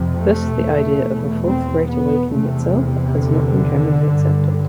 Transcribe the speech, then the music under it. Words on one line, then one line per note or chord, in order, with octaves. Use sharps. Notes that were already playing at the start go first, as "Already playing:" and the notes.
Thus, the idea of a Fourth Great Awakening itself has not been generally accepted.
Already playing: F2 C3
A3
E2
B2
C4
B3
E2 C3 A3
D3
G2